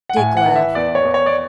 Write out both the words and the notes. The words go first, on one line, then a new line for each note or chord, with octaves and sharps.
Dick laughed.
F#5
A2 G#5
F#5
E3
E5
E2 D5
C#5
E2
C#5
D5